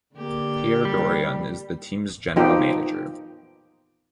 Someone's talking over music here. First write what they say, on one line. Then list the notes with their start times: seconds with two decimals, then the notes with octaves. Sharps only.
Pierre Dorion is the team's general manager.
0.16 D3 A#3 G4
0.85 G3
2.36 F3 B3 D#4 G4